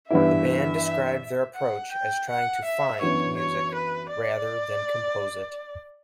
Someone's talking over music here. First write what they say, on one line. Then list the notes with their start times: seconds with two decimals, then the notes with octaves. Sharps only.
The band described their approach as trying to "find" music rather than "compose" it.
0.10 G2 E3 B3 E4 E5
1.56 F#5
1.92 G5
2.29 F#5
2.65 E5
3.01 F#2 E3 B3 D4 F#4 C#5
3.38 C#5
3.74 B4
4.11 D5